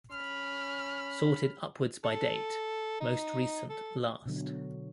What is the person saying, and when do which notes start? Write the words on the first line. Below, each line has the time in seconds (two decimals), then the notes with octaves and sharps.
Sorted upwards by date, most recent last.
0.11 C#4 B5 F6
2.04 A4
3.00 D#4
3.70 A4
4.26 B2 D3 F#3